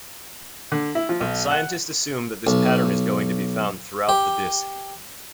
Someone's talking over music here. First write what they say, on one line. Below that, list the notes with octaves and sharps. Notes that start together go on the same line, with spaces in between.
Scientists assume that this pattern is going to be found throughout the disk.
D3
E4
F3
B1
F#5
B1
G4